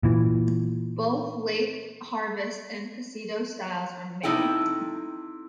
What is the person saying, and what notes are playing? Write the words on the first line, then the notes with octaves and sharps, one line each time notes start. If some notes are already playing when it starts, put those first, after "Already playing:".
Both late harvest and "passito" styles are made.
A#2 E3
C3 D#4 E4 A4 G5